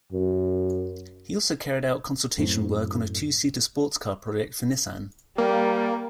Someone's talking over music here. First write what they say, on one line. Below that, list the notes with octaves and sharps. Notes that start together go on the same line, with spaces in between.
He also carried out consultation work on a two-seater sports car project for Nissan.
F#2
F#2 A2 C4
G3 A#3